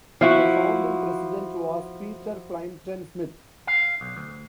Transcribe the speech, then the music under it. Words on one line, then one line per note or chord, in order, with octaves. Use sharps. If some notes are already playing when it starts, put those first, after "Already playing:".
The founding president was Peter Plympton Smith.
F3 E4 F#4
F5
B1
D2